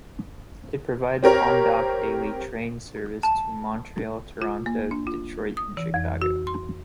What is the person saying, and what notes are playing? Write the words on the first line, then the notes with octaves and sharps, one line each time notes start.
It provides on-dock daily train service to Montreal, Toronto, Detroit and Chicago.
C4 G4 A#4 C#5
A5
F4
A#3
D4
F4
D#6
E3
F2
F#4
C6